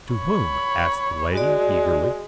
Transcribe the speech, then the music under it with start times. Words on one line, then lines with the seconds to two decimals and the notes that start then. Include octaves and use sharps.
"To whom?" asked the lady, eagerly.
0.13 C#5 B5
1.35 G#3 F#4 D5